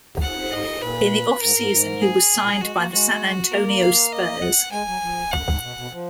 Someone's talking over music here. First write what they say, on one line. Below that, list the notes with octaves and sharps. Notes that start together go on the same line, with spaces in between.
In the offseason he was signed by the San Antonio Spurs.
F#5
G#2 D#5
A#2 B4
G#2 A#4
G#2
G#2
G#4
G#2
A#2
F#3
G#3 F#4
A#3
G#3 F#4
A#3 A#4
F5
D#5
F#5
G#3 G#5
F#3
F3
F#2 F#5
G#2
B2
B2
F3